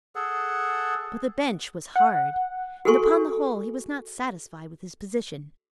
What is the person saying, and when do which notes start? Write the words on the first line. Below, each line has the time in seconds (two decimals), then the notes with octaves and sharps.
But the bench was hard and, upon the whole, he was not satisfied with his position.
0.15 G#4 A4 F#5
1.96 F#5
2.85 F#4 G#4 A4 G#5 C6 C#6